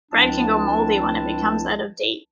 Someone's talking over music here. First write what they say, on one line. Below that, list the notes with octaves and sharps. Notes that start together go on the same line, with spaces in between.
Bread can go moldy when it becomes out of date.
C#2 F3 C4 D4 E4 A5